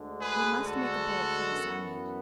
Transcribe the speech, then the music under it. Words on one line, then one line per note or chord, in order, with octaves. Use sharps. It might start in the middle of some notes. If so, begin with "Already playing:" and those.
We must make a bolt for the Psammead.
Already playing: D2 D3 G#3
G#4 B4
F#4 A4
F#2 E3 B3